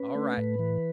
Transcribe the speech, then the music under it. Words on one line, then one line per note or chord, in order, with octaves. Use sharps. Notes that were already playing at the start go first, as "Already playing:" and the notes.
All right.
Already playing: C#4 B4
A3
A2
E3